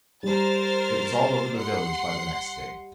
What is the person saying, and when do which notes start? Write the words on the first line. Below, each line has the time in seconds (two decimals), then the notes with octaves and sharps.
It was all over the village by the next day.
0.23 G3 A#4 C5 A6
1.56 F#5 C6